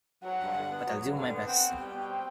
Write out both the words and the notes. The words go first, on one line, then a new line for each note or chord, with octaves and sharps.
But I’ll do my best.
F#3 F#5
G2
D3
B3
F#3
G2
D3
B3
C4 F#5
B2
G3 G5
B2
C4